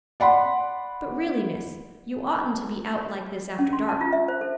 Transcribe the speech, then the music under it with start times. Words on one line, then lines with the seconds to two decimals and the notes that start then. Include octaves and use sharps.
But really, miss, you oughtn't to be out like this after dark.
0.20 D5 F#5 B5 C6
3.59 C#4
3.73 C6
3.89 A5
4.01 F4
4.13 E5
4.28 C5
4.41 A4